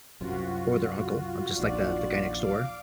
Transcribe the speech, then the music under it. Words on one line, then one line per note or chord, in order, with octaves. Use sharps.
or their uncle. I'm just, like, the the guy next door,
C2 F#2 C3 F4 F#4
A#1 D#2 D5
F5 D6